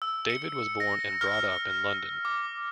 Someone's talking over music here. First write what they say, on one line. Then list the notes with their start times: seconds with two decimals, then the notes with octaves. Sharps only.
David was born and brought up in London.
0.02 E6
0.30 C#7
0.80 A#6
1.21 F6
2.25 D6